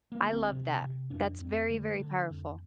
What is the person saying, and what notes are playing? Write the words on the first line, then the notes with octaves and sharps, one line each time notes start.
I love that. That's very, very powerful.
A#3
D2
C4
C3
C3
F2 D4
F2 C4
D3 A3
D3
F2